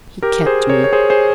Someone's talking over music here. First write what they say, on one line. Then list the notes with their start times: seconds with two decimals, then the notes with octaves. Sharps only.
"He kept me."
0.22 G4 A#4
0.46 G#4 C5
0.69 A#4 C#5
0.84 C#5
0.93 G#4 C5
1.10 G#4 C5